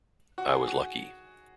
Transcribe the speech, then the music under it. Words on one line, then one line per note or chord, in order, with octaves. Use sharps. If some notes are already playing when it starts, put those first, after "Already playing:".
I was lucky.
F#4
G#4
F#4